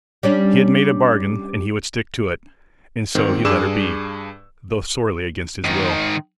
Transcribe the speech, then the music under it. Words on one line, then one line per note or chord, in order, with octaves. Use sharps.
He had made a bargain and he would stick to it, and so he let her be, though sorely against his will.
G3 C#4 D4
G#2 D#3 C4
G2 D4 G#4 D6 E6 E7
G#2 D#3